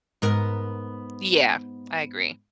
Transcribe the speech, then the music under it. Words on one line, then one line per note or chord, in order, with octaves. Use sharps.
Yeah. I agree.
G#2 B3 A#4